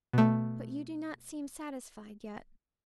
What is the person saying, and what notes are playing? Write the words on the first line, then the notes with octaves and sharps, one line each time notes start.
But you do not seem satisfied yet?
B2 A3